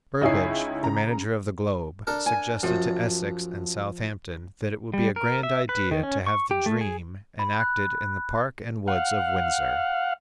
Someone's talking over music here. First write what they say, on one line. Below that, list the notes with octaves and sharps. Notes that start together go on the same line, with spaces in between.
Burbage, the manager of the Globe, suggested to Essex and Southampton that it would be a grand idea to have the "Dream" enacted in the park and woods of Windsor!
C#2 D#4 E4 G#4 C#5 C7
C#3 A#5
D4 A4 A#4
G#5
F#2 F3
G3
A#4
E5
B4
D#3
C#4
C#6
G4
A3
G#4
B5
F#6
F5 F#5